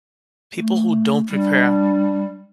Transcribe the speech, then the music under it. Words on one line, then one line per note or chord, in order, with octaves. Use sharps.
people who don't prepare
A3
G3 D4